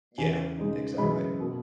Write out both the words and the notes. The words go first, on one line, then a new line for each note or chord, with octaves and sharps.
Yeah. Exactly.
E2 C#3 E3 G#5
C#3 G#3 D#4
F#2 C#3 E3 G#3 B5
B2 A#3